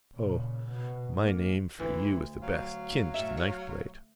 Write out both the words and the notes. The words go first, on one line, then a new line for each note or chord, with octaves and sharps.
O, my name for you is the best: Kinch, the knife-blade.
A#2 C#3
B2
G#2 A#3
D2 E3
F#3 F5
A2 E5
C#5